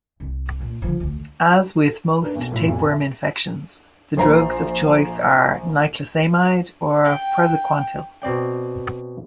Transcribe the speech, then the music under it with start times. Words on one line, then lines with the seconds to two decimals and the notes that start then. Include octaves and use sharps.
As with most tapeworm infections, the drugs of choice are niclosamide or praziquantel.
0.20 C2
0.60 A#2
0.82 D3 F3
1.00 D2
2.21 A#3 D4 D#4 A#4 B4
2.35 B1 B2
2.52 A2 F4
2.63 F1 B1
2.76 G#5
2.91 E5
4.17 A#1 C5 A#5
7.05 G5
8.22 B2 C4 D5 G5